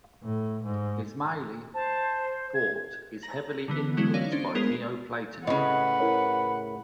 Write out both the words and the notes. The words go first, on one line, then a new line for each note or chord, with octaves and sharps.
Ismaili thought is heavily influenced by neoplatonism.
A2
G#2
C5 A5
G#6
A#5 A#6 F#7
D3 E3 B3
F#3 G#3 B3 C#4 E4 F#4
D#4 C#5 D5 F5
C#4 D4 C5
G#3 B3 F4 G#4 A#4
A2 C#3 B4 D#5 F#5
E4 A#4 C#5